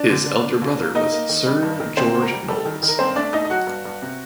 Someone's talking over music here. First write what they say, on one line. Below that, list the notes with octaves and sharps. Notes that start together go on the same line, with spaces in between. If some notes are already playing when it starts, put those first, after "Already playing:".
His elder brother was Sir George Knowles.
Already playing: D4 D5
D3
D3
D3
D#2
A#3
A#3 D#4 D#5
A#3
D#3
G3
G2
D#3
D2 C4 C5
D2
A#4
G3
G3 A4
D#3
D#3
A#4
G2 C4 C5
A3 D4 D5
A3 D#4 D#5
D#5
F#3 F#4 F#5
G2
G2
C3